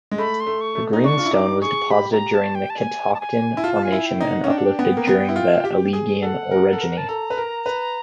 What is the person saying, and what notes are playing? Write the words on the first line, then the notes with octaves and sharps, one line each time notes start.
The greenstone was deposited during the Catoctin Formation and uplifted during the Alleghenian Orogeny.
G#3
A3 B5
C6
A3
C#6
A3
D#4
D4 C#6
F4
E4
D#4 D6
G#4 C#6
G4 B5
A#5
A5
G5
A5
G#5
A5
G#5
E4
F4 A5
A5
G#5
E4
G5
D#4
F#5
C#4
D4 G5
F#5
G5
B3
A#3
B3
E4
F4
G4
G#4
A4 F#5
A#4
A4
A#4
A5
A4 A#5
B4
A#4
B4